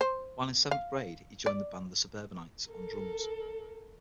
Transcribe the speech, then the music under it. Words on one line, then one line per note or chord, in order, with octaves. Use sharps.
While in seventh grade, he joined the band The Suburbanites on drums.
C5
F5
D5
A4 A#4